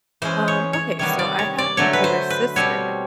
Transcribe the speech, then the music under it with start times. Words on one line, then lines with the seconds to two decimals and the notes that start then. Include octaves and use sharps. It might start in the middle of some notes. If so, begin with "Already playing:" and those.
Um, okay, so I have an older sister,
0.22 E3 G#3 C#4 C5
0.48 C#5
0.73 C#5
0.99 C3 D#3 G3 B3 C#5
1.19 D5
1.39 C#5
1.58 D5
1.77 D3 F#3 A3 C#5
1.93 B4
2.04 C5
2.30 B4
2.56 B2 G3 C4 C#5